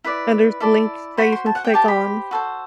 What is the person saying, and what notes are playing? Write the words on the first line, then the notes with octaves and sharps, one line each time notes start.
and there's a link that you can click on
E4 B4 D5
E4 A4 D5
F#4 C5 B5
C6
A5
F#5
G5
G4 C5 A5
B5
F#4 A4 C5